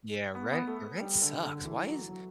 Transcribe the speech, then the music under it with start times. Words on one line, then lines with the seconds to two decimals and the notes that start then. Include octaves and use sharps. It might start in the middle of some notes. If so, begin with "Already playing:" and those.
Yeah. Rent your rent sucks. Why is
0.35 B3
0.51 B3
0.67 A3
1.00 G3
1.22 D3
1.44 D3
1.65 E3
1.87 F#3
2.09 F#3